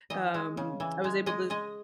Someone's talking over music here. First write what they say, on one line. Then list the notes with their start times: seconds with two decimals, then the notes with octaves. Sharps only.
um, I was able to
0.10 E3 D#5
0.34 G#3
0.57 C#3
0.80 E3
1.04 G#3
1.26 G#3 D#5
1.50 G#3 D#5